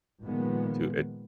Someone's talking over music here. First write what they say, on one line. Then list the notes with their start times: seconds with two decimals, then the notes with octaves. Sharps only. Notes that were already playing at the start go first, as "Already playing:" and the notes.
to ach
0.22 A#2 D#3 F3 G#3 B3